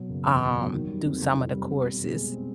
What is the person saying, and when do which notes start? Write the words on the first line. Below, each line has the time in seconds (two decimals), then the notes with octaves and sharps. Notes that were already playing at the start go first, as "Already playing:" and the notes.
um, do some of the courses.
Already playing: B2 F#3
0.09 F#1
0.25 E2
0.41 B2
0.57 F#3
0.73 D#3
0.89 G3
1.05 F2
1.20 C3
1.37 D#3
1.52 G3
1.68 C4
1.84 B2
2.00 B2
2.16 G#3
2.32 C4